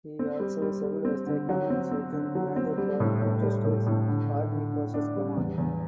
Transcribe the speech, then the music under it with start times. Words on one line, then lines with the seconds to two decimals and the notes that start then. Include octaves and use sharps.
He also served as the command sergeant major for United States Army Forces Command.
0.19 C4
0.40 G3
0.62 G3
0.83 G3
1.05 C4
1.26 D3
1.49 F#3
1.70 C4
1.91 C4
2.12 D3
2.35 F#3
2.56 C4
2.77 G3
3.00 A2
3.22 A2
3.42 G3
3.65 A2
3.86 A2
4.08 D3
4.29 D3
4.51 D3
4.72 D3
4.94 D4
5.16 G3
5.37 E2
5.58 E2